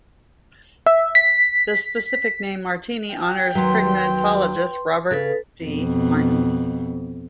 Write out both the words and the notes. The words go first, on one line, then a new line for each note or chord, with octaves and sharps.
The specific name, "martini", honors primatologist Robert D. Martin.
E5
B6
G5
D#2 F#3 B4 C6
C#3 A4 B4
F2 B2